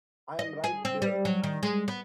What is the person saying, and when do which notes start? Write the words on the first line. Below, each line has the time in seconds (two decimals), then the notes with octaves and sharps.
I'm right there.
0.39 D#5
0.64 G#4
0.85 C4
1.02 G3
1.25 F#3
1.44 D#3
1.63 G#3
1.88 B3